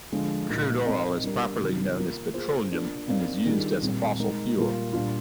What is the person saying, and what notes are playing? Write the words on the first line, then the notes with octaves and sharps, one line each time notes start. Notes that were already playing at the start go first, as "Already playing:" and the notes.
Crude oil is properly known as petroleum, and is used as fossil fuel.
D3 F3 G#3
A#2 G#3 D#4
C4 D#4 A#4 D#5
G3 D4 G4 A#4
C3 D#3 G3
A#3 F4 A#4
A#3 F4 G#4 C5
A#3 D4 F4
C4 D#4 A#4 D5 F5
D#3 G3 D4 F4 G#4
A#2 G3 C4
G#3 D#4 A#4
A#2 G3 A#3 F4
A#2 G3 D4 F4